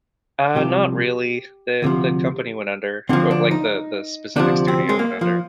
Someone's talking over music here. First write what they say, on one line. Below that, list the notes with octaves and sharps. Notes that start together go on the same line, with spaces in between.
Uh, not really. The the company went under or like, the the specific studio went under.
C2 C3 F3 G4
D2 C3 F3
D2 D3 F3 C4
D4
D#4
D2 C3 F3 D4
C4
G#3
A#3
F3